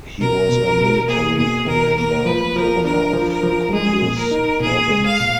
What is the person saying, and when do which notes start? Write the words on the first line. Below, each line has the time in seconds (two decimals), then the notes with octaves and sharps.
He was a military commander and governor of Kunduz province.
0.20 B2 A#4
0.49 B2
0.79 B2
1.08 A#3 G#4
1.38 B2 G#4
1.68 B2 A#4
1.97 A#3 A#4
2.25 F3 B4
2.56 F3 A#4
2.85 D4 A#4
3.14 F3
3.28 A#4
3.43 F3
3.73 G#3 G#4
4.02 A#2
4.18 A#4
4.31 D#4
4.61 A#2 G#4
4.90 G#3
5.06 F5
5.20 A#2